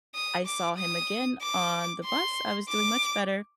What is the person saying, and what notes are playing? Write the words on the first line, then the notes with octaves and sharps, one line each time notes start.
I saw him again on the bus, I was doing much better.
D#6
D6
D#6
D6
C6
D6